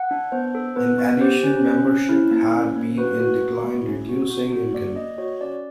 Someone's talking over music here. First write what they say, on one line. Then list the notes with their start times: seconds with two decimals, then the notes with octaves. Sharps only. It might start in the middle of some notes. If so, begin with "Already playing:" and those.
In addition, membership had been in decline, reducing income.
Already playing: F#5
0.11 D4
0.32 B3 C5
0.55 A4
0.76 B3 B4
0.98 B3
1.21 G4 C5
1.43 C#4
1.65 C#4
1.87 C#4
2.09 E4
2.31 A#3
2.54 C#4
2.76 A#3
2.98 F#4 B4
3.20 F#4
3.41 F#4
3.64 A3
3.87 C#4
4.09 F#4
4.30 F#4
4.53 F#4
4.74 A#3 D5
4.96 A#3 D#5
5.18 F#4 C#5
5.41 C#4 D5